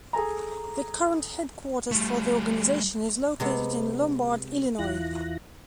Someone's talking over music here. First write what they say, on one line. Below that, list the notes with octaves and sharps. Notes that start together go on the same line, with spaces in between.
The current headquarters for the organization is located in Lombard, Illinois.
G#4 A4 G#5 A#5
G3 A3
C3 G#3 B3
E2 E3 E4 F4 F#6 A#6